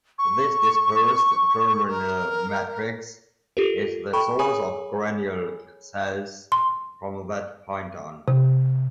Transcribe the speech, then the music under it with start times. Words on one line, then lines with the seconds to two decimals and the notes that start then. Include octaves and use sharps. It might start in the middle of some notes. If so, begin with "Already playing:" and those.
This dispersed germinal matrix is the source of granule cells from that point on.
0.19 C#6
1.88 A#4
3.57 F4 G4 A4 A#4
4.13 A4 G5 B5 C#6
4.39 G#4 A#4 C#5 G#5 B5 D#6
6.52 C6
8.28 C3